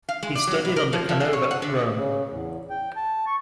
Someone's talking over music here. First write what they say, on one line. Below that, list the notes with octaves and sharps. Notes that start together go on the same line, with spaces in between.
He studied under Canova at Rome.
F5
G#3
D5
F#3
B2
A#4
F3
F3
G#4
C#5
F#5
D3
C#3
E2
G5
A5
C#6